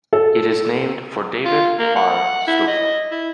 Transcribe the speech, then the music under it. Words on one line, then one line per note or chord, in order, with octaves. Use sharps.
It is named for David R. Stopher.
A4
F4
A#3
F#5
E4
D#5
E4